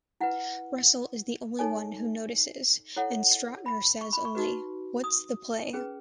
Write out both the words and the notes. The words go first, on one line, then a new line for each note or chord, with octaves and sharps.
Russell is the only one who notices, and Stautner says only, What's the play?
E4 B4 F#5
D#4 A4 C#5 G#5
E4 A4 C#5 F#5
D#5
B5
C#6
B5
C#6
D#4 F#4 B4
D#6
C#4 G#4 B4